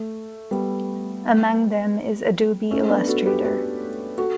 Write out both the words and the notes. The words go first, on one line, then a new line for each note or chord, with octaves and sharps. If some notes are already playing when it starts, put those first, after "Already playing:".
Among them is Adobe Illustrator.
Already playing: A3
G3 B3
A3 C#4
B3 D4
F#4 A4
G4 B4
G4 B4
F#4 A4